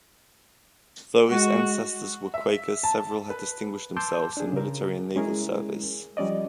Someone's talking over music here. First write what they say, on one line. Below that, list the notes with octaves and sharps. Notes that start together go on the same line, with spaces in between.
Though his ancestors were Quakers, several had distinguished themselves in military and naval service.
G#3 F#4
E5
A5
B4
A5 C6 D6 E6 G6
D4 G#4
C#3 A#4
G#3 C#4 E4 G#4 A#4
F3 G3 C#4 D5 D#5